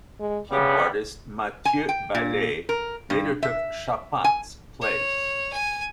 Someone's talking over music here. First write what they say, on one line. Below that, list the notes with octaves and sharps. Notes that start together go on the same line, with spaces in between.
Keyboardist Matthieu Ballet later took Chapat's place.
G#3
D2 C#3 G3 B3
G#5
G5
A#2
A#4
G2
E5
G#5
C#5
G#5